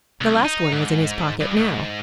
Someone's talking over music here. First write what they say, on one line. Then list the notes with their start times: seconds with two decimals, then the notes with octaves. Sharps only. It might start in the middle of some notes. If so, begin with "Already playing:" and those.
The last one was in his pocket now.
0.21 C2
0.45 D#4
0.72 G#2
1.41 G2
1.57 G#2